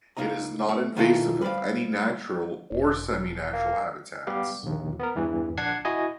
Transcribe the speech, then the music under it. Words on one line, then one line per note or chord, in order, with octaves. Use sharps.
It is not invasive of any natural or seminatural habitats.
C#2 G#3 A#3 D#4 D#5 A#5
A3
B2 D#3 E3 G#3 F4 A4
G3 B4 C5 D5 F5
E1
A#3
G3 B3 G4 F5
A#1 D#2
B3 A#4
E2 G2 E3
A#1 D4 F#5 A5 G#6 C7
E4 F#4 D#5 G#5